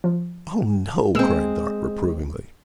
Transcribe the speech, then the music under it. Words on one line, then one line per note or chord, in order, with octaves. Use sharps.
"Oh, no," cried Dot reprovingly.
F3
G#3 A#3 C4 E6 E7